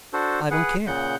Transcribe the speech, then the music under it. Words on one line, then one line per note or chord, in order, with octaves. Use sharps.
I don't care!
D4 F#4 A4 C5
G#4 B4 F#5
A#2 C#3 F#5 G6